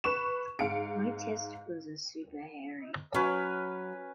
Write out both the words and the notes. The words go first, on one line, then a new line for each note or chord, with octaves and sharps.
She assisted him in several projects.
B4 C#6 E7
G#2 F5 C#7 D7
F#3 C#4 B4